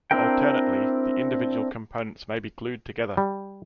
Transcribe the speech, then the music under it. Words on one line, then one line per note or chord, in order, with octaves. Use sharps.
Alternately the individual components may be glued together.
C4 D4 E4 A#4 G5
G3